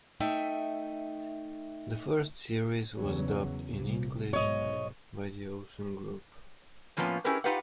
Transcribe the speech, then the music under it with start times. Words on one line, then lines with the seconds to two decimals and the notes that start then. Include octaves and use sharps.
The first series was dubbed in English by The Ocean Group.
0.20 A3 D#4 E5 G5
2.98 E2 C#3 F#3
3.72 C2
4.33 B1 G#2 C#5 D#5
6.97 A2 F3 A#3 B3 C#4 F4
7.25 C#4 E4 G4 G#4 A#4 B4
7.44 D#4 F4 G4 B4 F5 F#5